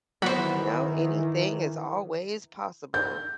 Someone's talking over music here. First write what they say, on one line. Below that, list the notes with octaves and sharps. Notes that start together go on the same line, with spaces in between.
you know, anything is always possible.
D#3 E3 F#3 B3 C5 B5
G6